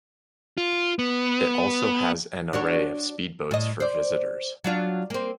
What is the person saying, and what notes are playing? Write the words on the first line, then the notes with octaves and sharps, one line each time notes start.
It also has an array of speed boats for visitors.
F4
B3
D4 F#4 C#5
A2 D#5
C5 D5
F#3 D4 F4
A#3 C4